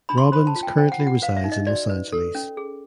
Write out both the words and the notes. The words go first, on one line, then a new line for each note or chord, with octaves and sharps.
Robbins currently resides in Los Angeles.
D4 B5
C6
C5 B5
A5
F4
G5
C5 G5
F#5
F4
F#5
B4 F5
E5
D#4
D#5
F#4 D5
B4
A4
C#4
G#4